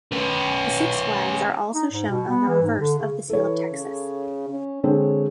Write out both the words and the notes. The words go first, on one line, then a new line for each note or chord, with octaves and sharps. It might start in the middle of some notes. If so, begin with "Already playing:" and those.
The six flags are also shown on the reverse of the Seal of Texas.
C#4 B4
D#4
G#2
B2
B3
E3
G#2
D3
C#3
E3 A4 C#5
C#3
C#4
D3 G#3 C4 C#5